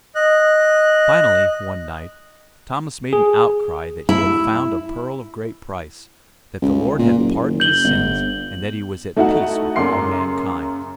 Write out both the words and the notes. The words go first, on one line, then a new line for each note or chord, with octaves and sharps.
Finally, one night, Thomas made an outcry that he had found a pearl of great price, that the Lord had pardoned his sins, and that he was at peace with all mankind.
D#5 F#6
G#4
E4
C#2
A#2
F#1
G6 F#7 G7
G1
A3 D#4 E4 F#4 A4 F#5
F#2 C#3 A#3 C6 D6 C7